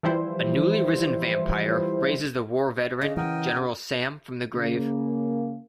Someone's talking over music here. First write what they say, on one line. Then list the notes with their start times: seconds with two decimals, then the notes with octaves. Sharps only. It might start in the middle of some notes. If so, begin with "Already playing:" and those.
A newly risen vampire raises the war veteran General Sam from the grave.
0.03 E3 F3 G3 E4 C5
3.01 C#3 D#5
3.17 E3 A#4 D#5 F#5 G5
4.55 C#3 A#3